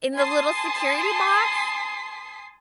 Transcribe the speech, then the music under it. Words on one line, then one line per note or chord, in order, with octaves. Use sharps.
In the little security box?
G#5 A5 C6 D#6 C7